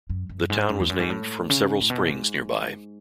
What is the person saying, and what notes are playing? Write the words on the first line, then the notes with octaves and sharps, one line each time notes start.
The town was named from several springs nearby.
F#2
F#2
G#2
F#2
E2
F#2
G#2
A2
C#3
A2
B2
G#2